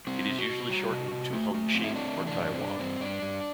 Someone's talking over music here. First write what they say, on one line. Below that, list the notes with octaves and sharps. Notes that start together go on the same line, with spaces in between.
It is usually shortened to Hung Shing or Tai Wong.
G3 C4
C3
F#4
C3
G3
C3
C3
A3
A3
C4
E4
A3 D4
E3
D4
F#2
C4
G2 D4
G2 C4
G2 D4
G2